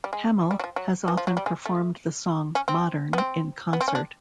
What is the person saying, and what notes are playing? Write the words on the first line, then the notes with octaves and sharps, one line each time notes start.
Hammill has often performed the song "Modern" in concert.
G3
G#3
G3
F#3
F3
F#3
E3
F3
F#3
G3
G#3
A3
C#4
C4
B3
C4
B3
C4
C#4
D4